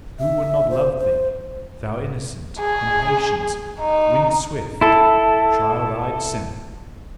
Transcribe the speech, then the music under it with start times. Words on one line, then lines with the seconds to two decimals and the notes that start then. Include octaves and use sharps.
Who would not love thee, thou innocent, impatient, wind-swift, child-eyed sinner!
0.19 E5
0.70 C5
0.99 C5
2.61 G#4
3.81 D#4
4.81 E4 A4